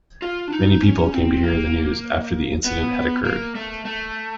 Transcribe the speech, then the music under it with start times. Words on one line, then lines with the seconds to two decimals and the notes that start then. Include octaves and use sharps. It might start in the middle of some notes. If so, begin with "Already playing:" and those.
Many people came to hear the news after the incident had occurred.
0.22 F4
0.48 D4
0.52 D#4
0.83 C#4
1.13 C4
1.43 A#3
2.64 B3
3.25 A#3
3.55 A3
3.85 A3